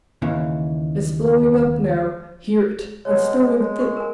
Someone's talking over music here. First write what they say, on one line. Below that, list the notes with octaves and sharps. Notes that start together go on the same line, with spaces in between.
It's blowing up now ... hear it ... and snowing thick.
D#2 C#3 E3
B2 G#3 C#5
G#3
C#6
A#4 G#5